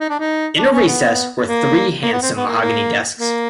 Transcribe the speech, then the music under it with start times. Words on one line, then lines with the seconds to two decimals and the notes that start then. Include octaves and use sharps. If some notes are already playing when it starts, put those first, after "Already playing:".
In a recess were three handsome mahogany desks.
0.01 D#4
0.10 D4
0.20 D#4
0.58 D4
0.73 C#4
0.87 B3
1.46 A#3
2.03 A#3
2.13 B3
2.23 C4
2.37 B3
2.47 A#3
2.62 A#3
3.20 A#3